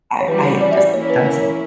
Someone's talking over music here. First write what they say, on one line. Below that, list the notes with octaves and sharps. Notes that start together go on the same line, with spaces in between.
I I had just done some
C#5
E3 G3 C#4 F#4 B4
C#5
D5
E5
D5
E3 A#3 C#4 E4 A#4 C#5
B4
C#5
C#5